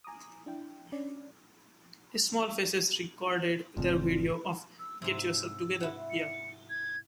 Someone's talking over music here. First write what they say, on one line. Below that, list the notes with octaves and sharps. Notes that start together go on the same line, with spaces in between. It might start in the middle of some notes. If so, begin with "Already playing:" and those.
The Small Faces recorded their video of "Get Yourself Together" here.
G#5 A#5 D6 D#6
D4 E4 G5
C#4 D4 D5
F#1 A2 C#3 C4 F4 D5
E6
G#2 C3 E6
E4 F#5
C#7
G#6